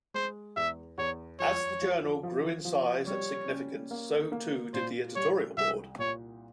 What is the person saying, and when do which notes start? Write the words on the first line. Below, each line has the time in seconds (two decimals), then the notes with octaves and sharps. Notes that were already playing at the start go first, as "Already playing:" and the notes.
As the journal grew in size and significance, so too did the Editorial Board.
0.14 G#3 C5
0.56 E2 E5
0.98 E2 C#5
1.40 F2 C#5
1.82 F3
2.23 F3
2.65 F3
3.07 G3 C#5
3.49 C#4
3.91 A#3
4.32 A#3
4.74 A#2 C5
5.16 G3 C#5
5.57 C2 E5
5.99 A#2 C#5